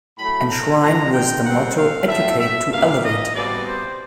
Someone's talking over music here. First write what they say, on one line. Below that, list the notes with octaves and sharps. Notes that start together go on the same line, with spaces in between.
Enshrined with the motto "Educate to Elevate".
A2 F#3 A3 B5
A#5
A#2 F3 G#3 A#5
G5
D#3 G3 C4 F#5
F5
A2 F#3 A3 E5
E5
A#2 G3 A#3 F5
D#5
B2 G3 C4 D5
C5